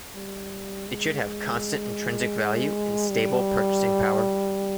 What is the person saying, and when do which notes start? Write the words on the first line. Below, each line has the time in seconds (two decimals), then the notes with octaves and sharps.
It should have constant intrinsic value and stable purchasing power.
0.15 G3
0.89 G#3
3.11 G3